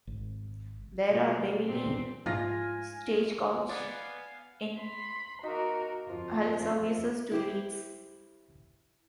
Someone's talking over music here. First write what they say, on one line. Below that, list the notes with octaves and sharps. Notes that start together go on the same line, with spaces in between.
There are daily Stagecoach in Hull services to Leeds.
G#1
B2 G#3
A#2 C4
G#2 F3 F4 G#5 F6 A#6
B3 D5 F5 G#5
B5 C6
A#3 D#4 F#4 A#4
F2 F3 F4
E4 G4 C5